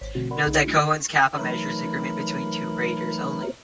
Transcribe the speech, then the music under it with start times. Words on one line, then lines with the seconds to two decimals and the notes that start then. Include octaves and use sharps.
Note that Cohen's kappa measures agreement between two raters only.
0.01 G#1 C5 C#5 B6
0.15 B2 D3 F3 A3 C4 F#4
0.31 A#4 D5 F#5 B5 C6
0.46 B1 D3 D#4 G#4
0.63 A3 D4 E4 F#4
1.38 E3 F#3 A3 D#4 A#4 B5